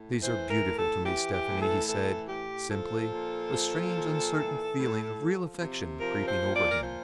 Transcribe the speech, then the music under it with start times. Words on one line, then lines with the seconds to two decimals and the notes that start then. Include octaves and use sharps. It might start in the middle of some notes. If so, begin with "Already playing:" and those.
"These are beautiful to me, Stephanie," he said, simply, a strange, uncertain feeling of real affection creeping over him.
Already playing: A2
0.23 E3 C5
0.50 A#4
0.64 A2
0.78 A4
1.05 E3 G4
1.33 G4
1.47 A2
1.60 A4
1.87 E3 A4
2.28 A2 G4
2.70 F3 A4
3.11 A#2
3.53 F3
3.94 A#2
4.35 E3
4.77 A2
5.18 F3
5.59 C3
6.00 F3 A#4
6.28 C5
6.41 A#2
6.56 D5
6.71 A#4
6.83 F3 C5